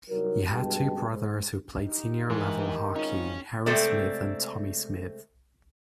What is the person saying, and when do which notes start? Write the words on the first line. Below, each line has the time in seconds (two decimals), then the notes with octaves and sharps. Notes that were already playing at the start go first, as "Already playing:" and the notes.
He had two brothers who played senior-level hockey Harry Smith and Tommy Smith.
0.10 C2 F#3 D#4 A#4
0.49 G2 B2 G#3 G5 A5
1.10 G#2
1.79 D#4 G4
2.30 G#2 D#3 E3
2.95 G#1 C#4 D#4 F4 C#5
3.66 C3 G#3 A3 C4 A4 D5